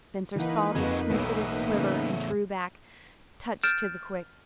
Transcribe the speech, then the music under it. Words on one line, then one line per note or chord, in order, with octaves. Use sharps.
Spencer saw the sensitive quiver and drew back, touched to the quick.
E3 A#3 D#4 B4 F#5
F2 G#3 F#4
B1 E2 A2
C#3
F6 G6 A6 D7 E7